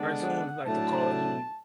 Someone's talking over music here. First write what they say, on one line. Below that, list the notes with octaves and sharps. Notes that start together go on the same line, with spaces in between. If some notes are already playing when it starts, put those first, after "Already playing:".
cartoons is like the Call of Duty
Already playing: D3 G#3 B3 D4
F#5
A2 F#3 A3 D4 A5